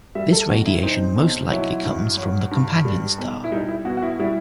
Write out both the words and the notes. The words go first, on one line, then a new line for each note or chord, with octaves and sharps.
This radiation most likely comes from the companion star.
G3 E5
A4
B1 F#4
E4
C4 D#4
B1
F#3 E4
G2
F#3
G2
G3
B1
E4
G3 D#4
E4
B2 F#4
F#4
E4
G3 E4